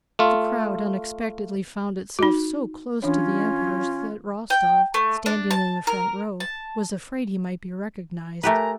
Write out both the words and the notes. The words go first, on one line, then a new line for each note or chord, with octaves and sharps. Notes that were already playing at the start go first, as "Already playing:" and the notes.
The crowd unexpectedly found itself so close to the Emperors that Rostov, standing in the front row, was afraid he might be recognized.
A3 F4
D#4 F#4
E3 C#4 D4 F4 C#5
G5
A3
D4
A5
A#4
A5
A3 G4 A#4 B4 G#5 A#5